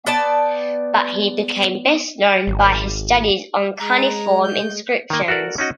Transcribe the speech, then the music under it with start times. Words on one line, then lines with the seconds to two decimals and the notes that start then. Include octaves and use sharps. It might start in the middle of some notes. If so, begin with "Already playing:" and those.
But he became best known by his studies on cuneiform inscriptions.
0.07 B3 D5 G5 A5
2.47 G#1
3.79 G#3 A#5
4.43 G6
5.10 D#3 A#3
5.28 F#4 A4 A#4 D5
5.58 C#4 D#4 F#4 D#5